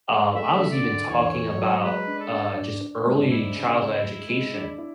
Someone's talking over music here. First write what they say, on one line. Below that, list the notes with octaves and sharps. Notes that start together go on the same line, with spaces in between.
um, I was even talking about, uh, just early childhood education,
G#3
A3 E5
D3
D5
D3
E2 C#5
A3
F#3
G#3 B4
D4
A4
D4
D4
D4
G#2
D4 E4
C#3
G#3
G#3
G#3
D4
E4